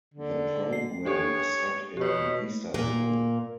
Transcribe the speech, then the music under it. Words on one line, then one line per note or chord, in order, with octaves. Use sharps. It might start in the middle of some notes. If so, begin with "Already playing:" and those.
The program is set in Istanbul.
D3
C7
D4 G4 A4 C#5
B2 G4 C#5
A#2 A#3